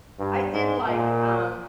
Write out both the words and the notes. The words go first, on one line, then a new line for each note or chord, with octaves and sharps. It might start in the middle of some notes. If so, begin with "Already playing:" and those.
I did, like, um,
G2
G#2
A#2